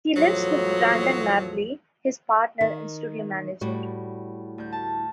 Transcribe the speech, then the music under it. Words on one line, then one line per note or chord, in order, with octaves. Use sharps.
He lives with Brandon Mably, his partner and studio manager.
E2 A2 F3 F#3
D#3
A2 G3 F#4
D2 G6
A5